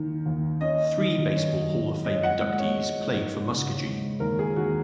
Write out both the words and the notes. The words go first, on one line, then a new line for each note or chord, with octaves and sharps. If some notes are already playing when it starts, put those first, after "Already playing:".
Three Baseball Hall of Fame inductees played for Muskogee.
Already playing: D#2 D#3
D#2
C#4 D#5
D#3
C#4
F#3
C#4 D#5
F#5
G#3 F#5
C#5
G#3
G#2
C#3
G#3
D#2 A#4
G#4
D#2 F#4